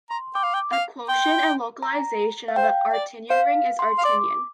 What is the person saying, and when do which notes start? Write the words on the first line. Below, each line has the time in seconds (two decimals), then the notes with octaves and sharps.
A quotient and localization of an Artinian ring is Artinian.
0.10 A#5 C6
0.35 G5 D6
0.43 F5
0.54 G5
0.72 F5
1.08 G5 C6
1.83 A#5
2.48 F5
2.56 C5 G5
2.93 D5
3.30 C5 F5
3.79 C6
3.98 F5
4.04 D5 D6